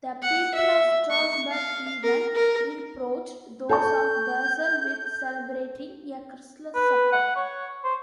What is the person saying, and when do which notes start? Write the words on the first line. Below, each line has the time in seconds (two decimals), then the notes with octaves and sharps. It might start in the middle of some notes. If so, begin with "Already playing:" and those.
The people of Strasbourg even reproached those of Basel with celebrating a Christless supper.
0.22 F#5
0.55 E5
1.10 C#6
1.51 F5
2.03 A#4
2.35 A#4
3.69 A4 A5 C#6 G6
6.75 B4
7.12 F#5
7.36 C#5
7.84 C5